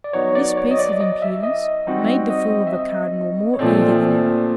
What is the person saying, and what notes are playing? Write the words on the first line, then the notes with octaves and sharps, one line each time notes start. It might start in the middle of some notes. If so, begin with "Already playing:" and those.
This piece of impudence made the fool of a cardinal more eager than ever.
D5
F#3 B3 D#4 F#4 C#5
D5
C#5
D#5
D5
D#5
E5
D#5
G3 C4 D#4 F#4
D#5
E5
D#5
C#5
A#2 F3 A3 C4 D5